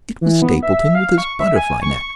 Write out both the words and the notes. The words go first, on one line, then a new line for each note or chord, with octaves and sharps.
It was Stapleton with his butterfly-net.
E3
B3
E5
F5
C#6
E5
G#5
C#6
C#6